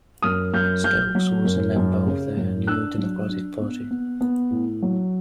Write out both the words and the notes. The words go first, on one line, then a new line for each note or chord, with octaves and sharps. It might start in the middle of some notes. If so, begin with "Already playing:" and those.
Stokes was a member of the New Democratic Party.
F#2 D#6 F6
F#2 F6 G6
F#3 F6 G6
F#3
F#2
F#2
C#3
F#2
D4 E6 F#6
F#3
D4
B3
B3
B3
A2
F#3